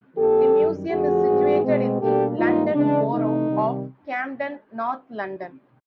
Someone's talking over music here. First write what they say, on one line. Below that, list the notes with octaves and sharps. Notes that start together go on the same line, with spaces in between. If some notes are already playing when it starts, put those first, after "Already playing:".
The museum is situated in the London Borough of Camden, North London.
F2 D3 F3 A#3 G4 A4
F#2 D#3 G3
F2 D3 F3 A3 F#4 G#4
G#2 E3 G3 C4
B2 G#3 C4
B2 G3 A#3 D4 G4 A4
G#2 E3 G3 A#3 D#4 F4
C#3 E3 G#3 D4
C3 E3 A3 D#4
C3 D#3 G3